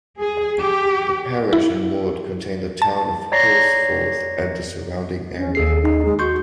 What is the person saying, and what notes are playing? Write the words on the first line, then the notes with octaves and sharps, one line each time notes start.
The parish and ward contain the town of Horsforth and the surrounding area.
G#4
G4
E4
A5
C#5 D5 A#5 A#6 C7
C#4
D#2 G#4 A4 C7
D#4
G#3
F#4 C6 C#6 G6